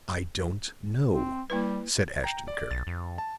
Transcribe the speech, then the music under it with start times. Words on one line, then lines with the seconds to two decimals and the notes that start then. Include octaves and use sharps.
"I don't know," said Ashton-Kirk.
1.11 C4
1.50 G3 A#3 E4 B4
2.24 G5 A#5
2.48 D5
2.71 B1 A6
2.87 F2
3.18 A5